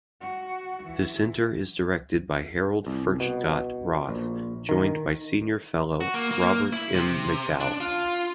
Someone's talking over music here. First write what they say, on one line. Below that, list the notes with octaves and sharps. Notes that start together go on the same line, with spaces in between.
The center is directed by Harold Furchtgott-Roth, joined by senior fellow Robert M. McDowell.
F#4
E3
C2
B2
A#1
D#3
F#4
A#3
A#3
E4
C3
D4
F4